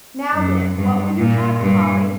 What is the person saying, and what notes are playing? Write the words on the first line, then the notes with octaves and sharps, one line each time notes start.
"Now, then, what will you have, Polly?"
F#2
G2
A#2
G2